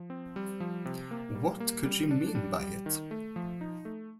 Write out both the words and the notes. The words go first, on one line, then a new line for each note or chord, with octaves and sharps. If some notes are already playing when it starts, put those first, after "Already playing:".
What could she mean by it?
Already playing: F3
C4
G3
F3
C3
A#3
G3
A#3
G3
D4
G3
G3
D#3
A3
F3
D#4
A3